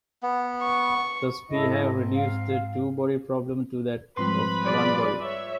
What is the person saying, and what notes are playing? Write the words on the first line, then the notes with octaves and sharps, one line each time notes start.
Thus we have reduced the two-body problem to that of one body.
B3
C#6
G#2 C4 E4 A4 D#5
F5
G#2 F3 G3 G#3 C4 B4 B5 C6
G3 F4 G#4 D5
C#5 E5